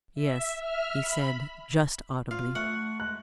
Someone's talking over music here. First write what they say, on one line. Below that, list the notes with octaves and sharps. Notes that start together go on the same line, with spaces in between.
"Yes," he said, just audibly.
E5
E5 F6
B5
F4 F5
A3 F#5 C#6
G#3 F#6